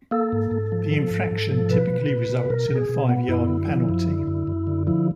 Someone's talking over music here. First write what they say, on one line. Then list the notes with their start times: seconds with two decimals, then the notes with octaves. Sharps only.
The infraction typically results in a five-yard penalty.
0.11 A#3 A4
0.32 G#2
0.51 G#2
0.72 F3
0.91 F3
1.11 G#2
1.31 G#2
1.51 F3
1.70 B2 B4
1.90 B2
2.10 B2
2.30 B2
2.50 B2 A#4
2.70 B2
2.75 G#4
2.89 B2
3.09 B3
3.28 F#2 E4
3.48 D3
3.68 F3
3.89 F#2
4.08 D3
4.27 F#2
4.47 F#2
4.67 D3
4.87 F3 E4